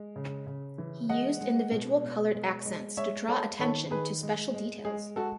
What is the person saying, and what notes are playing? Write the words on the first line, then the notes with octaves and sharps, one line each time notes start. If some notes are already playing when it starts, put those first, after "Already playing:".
He used individual coloured accents to draw attention to special details.
Already playing: G#3
C#3
C#3
E3
G#3 D#5 F#5
G#3
B2
B2
G#3
G#3
G#3 C#5 E5
G#3 A4 C#5
D#3 A4 C#5
D#3 G#4 B4
G#3
G#3
G#3 G#4
G#3 F#4 A4